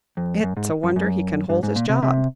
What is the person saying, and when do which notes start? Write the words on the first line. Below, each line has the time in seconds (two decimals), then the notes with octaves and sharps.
"It's a wonder he can hold his job."
0.17 F2
0.43 F#2
0.57 G#2
0.83 F#2
0.96 F#2
1.49 G2
1.63 G#2
1.76 A#2
1.89 C3
2.03 C3